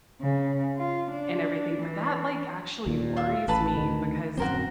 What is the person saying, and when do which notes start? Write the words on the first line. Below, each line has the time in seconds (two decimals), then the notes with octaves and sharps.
and everything, but that, like, actually worries me, because
0.22 C#3
0.77 F4
1.11 D4
1.82 E3
2.86 D#2 A#2
3.17 F4 E5
3.48 A1 B4 A5 B5
3.77 D2 D#3
4.37 D#1 F#2 C4 F#4 A#4 C5